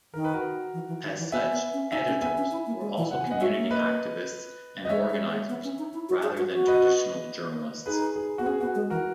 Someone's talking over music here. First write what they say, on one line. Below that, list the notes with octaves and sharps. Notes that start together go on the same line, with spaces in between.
As such, "editors" were also community activists and organizers rather than traditional journalists.
D#3 A#4
B4
F#4 A#4
E3
E3
D#3
E3
B3 E5 G#5
B3
C#4
D#4 E5 G#5
C#4
B3 E5 G#5
C#4
E4
A#3
G#3
E3
F#5
G#5
B3
D#5 F#5
F#4 C#5 E5
A#3
B4 D#5
D#5
G#3 C#5 E5
G#3
G#3
B3
C#4
D#4
E4
F#4
G#4
F#4
F#4
B4 D#5
D#4 G#4 B4
G#4
B3 F#4
C#4 G#4
B3 F#4
G#3
E3 F#4 A#4